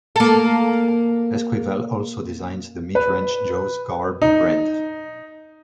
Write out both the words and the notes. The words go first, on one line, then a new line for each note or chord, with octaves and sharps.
Esquivel also designs the mid-range Joe's Garb brand.
A#3 A4
B4
D#4